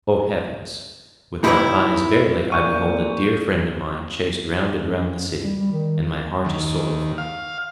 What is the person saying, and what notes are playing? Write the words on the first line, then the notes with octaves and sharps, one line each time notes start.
'O heavens! with my eyes verily I behold a dear friend of mine chased round and round the city, and my heart is sorrowful.'
D#4 E4 G4 A4 B4 C#5
A#2 C#6 G6 D#7
F#2
G3
G3
D#3
D#2
F5